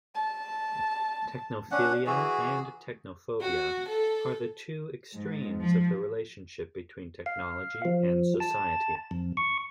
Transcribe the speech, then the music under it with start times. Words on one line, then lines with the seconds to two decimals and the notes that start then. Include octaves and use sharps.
Technophilia and technophobia are the two extremes of the relationship between technology and society.
0.15 A5
1.71 C#4 D4 F#5
2.06 E3 F#4 G#4
3.41 F#4
3.89 A4
5.13 G#2
5.61 F3
7.26 F5
7.85 F3
8.40 A5
9.11 F2
9.37 C#6